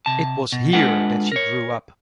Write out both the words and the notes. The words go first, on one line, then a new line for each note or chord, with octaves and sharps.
It was here that she grew up.
C3 A5
B2
G#3 D4 F4 A4 B4 F#5
A#4 C#5